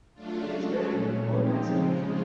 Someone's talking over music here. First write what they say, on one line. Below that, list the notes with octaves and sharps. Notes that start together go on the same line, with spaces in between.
He is buried in Holmen Cemetery.
F#3 A3 D4 F4
G#3 C#4 F#4 A4
A#2 F#3 A3 C#4
F3 G#3 C4 D#4 G4
C#3 F3 G#3